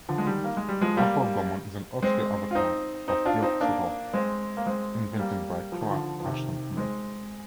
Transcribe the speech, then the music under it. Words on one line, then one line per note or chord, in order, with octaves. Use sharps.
Aforgomon is an obscure avatar of Yog-Sothoth invented by Clark Ashton Smith.
D3 F3
G#3
D#3 G3
A#3
G#3
G3
F3 G#3
G3 A#3
G#3 C4
F4
C4 D#4
C4 D#4
D4 F4
C4 D#4
A#3 D4
G#3 C4
A#3
G#3 C4
G3 A#3
F3
D#3
D3 F3
F3
C3 D#3
G#3 C4